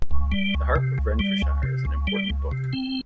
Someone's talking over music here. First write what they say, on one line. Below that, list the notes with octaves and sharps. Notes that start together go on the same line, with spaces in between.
The Harp of Renfrewshire is an important book.
C#2
G3
C#2
C3
C#2
G3
C#2
C3
C#2
G3
C#2
C3
C4